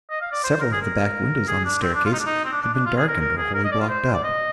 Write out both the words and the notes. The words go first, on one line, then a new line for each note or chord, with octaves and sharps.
Several of the back windows on the staircase had been darkened or wholly blocked up.
D#5
F5
D5
C5
A#4
G#4
A#4
G#4
D4
C4
D4
F4
D#4
D4
D#4
C4
D4
D4
D4
F4
G#4
A#4
A#4
G#4
A#4
D#5
D5
F4
C5
D5
D#5